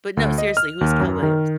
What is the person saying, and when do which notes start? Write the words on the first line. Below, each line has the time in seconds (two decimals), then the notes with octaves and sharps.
But, no, seriously, who's Cal Williams?
0.17 D2
0.38 D#5
0.57 F6
0.81 D#2
1.00 F#2
1.23 D#3